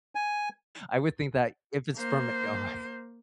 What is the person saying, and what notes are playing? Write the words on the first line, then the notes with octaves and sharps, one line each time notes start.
I would think that if it's from a guy
G#5
A#3 C5